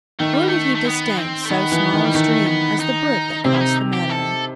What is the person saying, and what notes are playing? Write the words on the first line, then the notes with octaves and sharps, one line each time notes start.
Nor did he disdain so small a stream as the brook that crossed the meadow.
D#3 A3
G3
A3
A3
B3
C4
A3
D#3 B3
E3
D#3
G3
D#3 A3
B3
D#4
C3 C4
E4
D#4
G4
A4